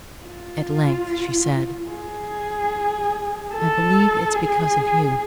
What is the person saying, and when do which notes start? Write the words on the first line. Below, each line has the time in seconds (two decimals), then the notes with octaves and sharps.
At length she said: "I believe it's because of you."
0.24 F4
1.89 G#4
3.54 A4
4.36 G#4